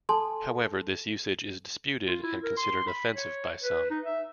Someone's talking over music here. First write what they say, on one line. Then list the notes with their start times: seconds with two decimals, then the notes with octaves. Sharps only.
However, this usage is disputed and considered offensive by some.
0.09 A4 G#5 A5 C6
2.07 F4
2.23 E4
2.43 A#4
2.57 C6
2.87 B5
3.15 C#5
3.62 B4
3.90 D#4
4.05 E5